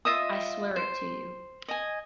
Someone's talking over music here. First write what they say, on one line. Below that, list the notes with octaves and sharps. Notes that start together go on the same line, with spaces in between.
I swear it to you.
F4 D#5 E5 D#6
C5
D#5 G#5